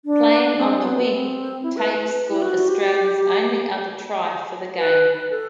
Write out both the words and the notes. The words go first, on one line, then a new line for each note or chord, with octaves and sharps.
Playing on the wing, Tate scored Australia's only other try for the game.
D4
C4
B3
C4
E4
B4
B4
E4
F#4
G4
B4
A4